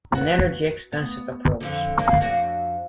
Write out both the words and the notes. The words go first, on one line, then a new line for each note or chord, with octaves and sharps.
An energy-expensive approach.
F#4 B4
B3
F2 D3
F2 A#3 D4
F2 D4 F#4